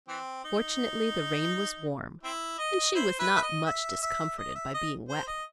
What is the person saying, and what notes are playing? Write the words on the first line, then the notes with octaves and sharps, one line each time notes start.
Fortunately the rain was warm, and she was not much discomforted by being wet.
E3 C4
D#4
C4 E4
D#5
E4 C5
E4 B4
E5
D#5
E5
E5
D#5
E5
D#5
C5
D#5